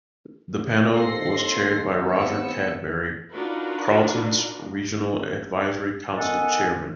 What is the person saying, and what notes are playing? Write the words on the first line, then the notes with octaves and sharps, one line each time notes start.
The panel was chaired by Roger Cadbury, Carlton's regional advisory council chairman.
D#2 C4 A4 C6 A#6 C7
B3 E6 C#7
D4 D#4 F4 F#4 A#4 B4
D#3 B3 A4 F#5 G#5